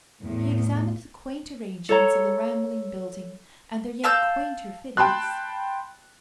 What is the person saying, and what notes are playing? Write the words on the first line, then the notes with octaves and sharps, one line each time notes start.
He examined the quaint arrangements of the rambling building, and their yet quainter fittings.
E2 A2
A4 C#5 A#5
F5 A5 E6 G6
G5 A5 B5 C6 F#6